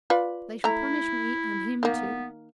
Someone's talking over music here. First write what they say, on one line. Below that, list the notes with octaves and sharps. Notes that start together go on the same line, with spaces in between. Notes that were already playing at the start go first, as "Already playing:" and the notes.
They shall punish me and him too.
F4 B4 D5
A3 E4 A#5
D#3 A#3 B3